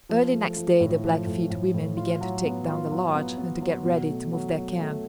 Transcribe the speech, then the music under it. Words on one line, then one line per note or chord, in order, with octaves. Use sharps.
Early next day the Blackfeet women began to take down the lodge and to get ready to move their camp.
F3
A3
F3
A2
F3
A2
A2
A2
F4
F#3
B3
F4
F#3
B3
B3
F#3
B2
A3
F#3
F#3
A3